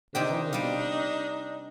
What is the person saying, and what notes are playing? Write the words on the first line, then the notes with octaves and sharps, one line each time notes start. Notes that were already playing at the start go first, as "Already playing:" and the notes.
"It is only me."
C3 C4 D4 D#4 G4
G3 F5